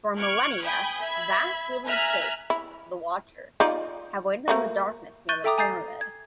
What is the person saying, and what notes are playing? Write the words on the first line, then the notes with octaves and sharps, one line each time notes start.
For millennia, vast living shapes-the Watchers-have waited in the darkness near the pyramid.
C#6 F6 F#6 G#6 D7
G5 G#5 B5 D#6 G6 G#6
E5 B5 G#6
E5 G#5 A#5 F6 F#6 B6
E4
D#4 F4 D5
A3 A#3 F#4
C#6 F#6 G6 A6 D#7 G7
A4 E5 G5 A#5 D6 D#6
G#5 A#5 D#6 G6 A6 C7
G#6